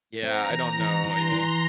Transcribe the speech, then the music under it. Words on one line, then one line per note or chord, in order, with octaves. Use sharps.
Yeah, I don't know. Yeah.
C4 A#5
E3
E3
E3 C6
E3